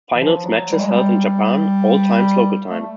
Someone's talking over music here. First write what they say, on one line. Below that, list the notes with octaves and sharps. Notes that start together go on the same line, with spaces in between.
Finals matches held in Japan, all times local time.
E3
F3
F#3
G3
G#3
G3
A3